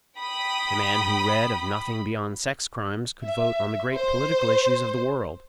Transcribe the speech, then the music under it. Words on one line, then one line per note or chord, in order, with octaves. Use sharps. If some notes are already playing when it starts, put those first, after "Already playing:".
The man who read of nothing beyond sex crimes could vote on the great political issues of the world.
G5 B5 D#6
E5
C5